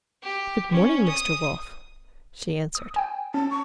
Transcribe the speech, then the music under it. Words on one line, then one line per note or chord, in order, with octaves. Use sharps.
"Good morning, Mr. Wolf," she answered.
G4
C#4
D#6
D#6
G5 G#5
C#4 A5
C#6